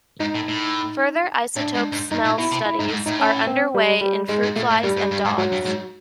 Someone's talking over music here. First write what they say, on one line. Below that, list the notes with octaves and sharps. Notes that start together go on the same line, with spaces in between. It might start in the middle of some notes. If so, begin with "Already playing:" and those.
Further isotope smell studies are under way in fruit flies and dogs.
G#2 D#4
A2
A2
A2 D4
G#2
G#2
G2 D#4
A#2
B2 E4
C3
E4
G#2 D#4
A2
G#2
A2 D#4
C#4
C4
G3
G3
G#2 G#3
G#2
A#2 A3
A2
G2 G3
G2
G2
G#2
G#2 F#3
G2
G#2